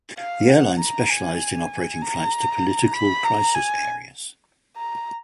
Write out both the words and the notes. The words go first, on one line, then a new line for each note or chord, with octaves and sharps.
The airline specialized in operating flights to political crisis areas.
F5
F#5
A#5
G#5
A#5
B5
A#5
G#5
A#5